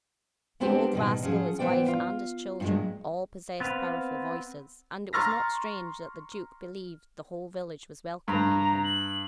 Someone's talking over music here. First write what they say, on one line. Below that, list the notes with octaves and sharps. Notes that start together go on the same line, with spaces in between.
The old rascal, his wife, and his children, all possessed powerful voices; and it was not strange that the duke believed the whole village was welcoming him.
G#3 B3 C4 D4 G4 C5
B2 D#3 G3
F3 F#3 C#4 G#4
E3 B3 C5 D5 G5
F4
G2 A#2 F3 F#3 G#3
B3 C4 B4 F5
A#5 C6 C#6 F6 A6 A#6
G2 A#5
F#7